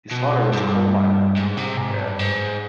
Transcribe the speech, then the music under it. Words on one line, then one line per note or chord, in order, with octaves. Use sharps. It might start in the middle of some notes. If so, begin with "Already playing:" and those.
His father was a coal miner.
B2
G2
G#2
C3
G#2
G2
G#2